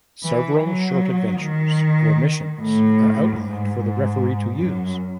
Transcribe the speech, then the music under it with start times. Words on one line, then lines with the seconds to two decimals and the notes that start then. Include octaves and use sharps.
Several short adventures or missions are outlined for the referee to use.
0.24 E3
0.64 F#3
1.42 D#3
2.60 A2
3.39 G#2
4.56 F#2